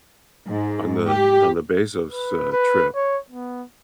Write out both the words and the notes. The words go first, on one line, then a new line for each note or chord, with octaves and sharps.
o on the on the Bezos, uh, trip.
G#2
G4
B4
B4
C#5
B3